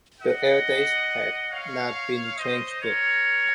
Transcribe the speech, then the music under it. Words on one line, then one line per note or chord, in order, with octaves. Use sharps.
The air dates have not been changed.
D#5 F#5
C#5 F5
C5 D#5
A#4 C#5